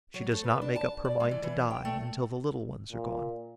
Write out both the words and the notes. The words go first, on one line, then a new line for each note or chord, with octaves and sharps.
She does not make up her mind to die until the little ones are gone.
F#3
A3
B4
D4
A5
D5
G#3
E3
E3
G5
A3
A#2